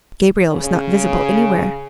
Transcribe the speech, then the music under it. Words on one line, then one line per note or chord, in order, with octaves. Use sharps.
Gabriel was not visible anywhere.
C#3